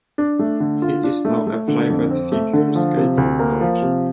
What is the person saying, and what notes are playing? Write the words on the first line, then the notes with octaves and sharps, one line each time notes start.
He is now a private Figure Skating coach.
D4
A3
D3
F4
D4
A3
A3
D3
F2
C4
A3
D3
F3
C3
D2
A#3
F3
C3